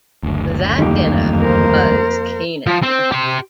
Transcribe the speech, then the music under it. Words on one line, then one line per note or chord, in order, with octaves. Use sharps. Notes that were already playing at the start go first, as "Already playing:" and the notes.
That dinner was Keenan.
F#1 D2
F2 D#3 G3 A#3 G4
A#4 C5
F3
C4
G4 C6